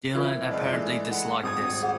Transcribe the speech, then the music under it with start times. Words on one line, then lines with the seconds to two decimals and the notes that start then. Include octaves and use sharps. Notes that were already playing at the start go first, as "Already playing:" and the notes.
Dylan apparently disliked this.
0.15 E3 C4 E4 F4 A#4
0.50 F#1 C#2 D5 D#5
0.73 E3 G#3 A3
1.10 D#4 F#5 B5
1.43 D#1 G#1 D#6 G#6
1.82 G#4 C5 F#5